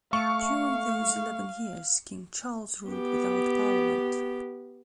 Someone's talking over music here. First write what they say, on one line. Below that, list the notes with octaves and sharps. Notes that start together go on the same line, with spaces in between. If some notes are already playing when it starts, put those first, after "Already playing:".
During those eleven years, King Charles ruled without parliament.
A3 F5 C#6
B3 G4